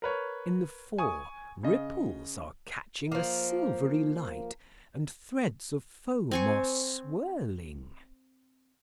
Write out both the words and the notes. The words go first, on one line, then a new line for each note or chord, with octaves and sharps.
In the fore, ripples are catching a silvery light, and threads of foam are swirling.
A#4 B4 C#5
G#5 C#6 D#6
C#3 D#5
F3 A#3
C4 G#5 C#6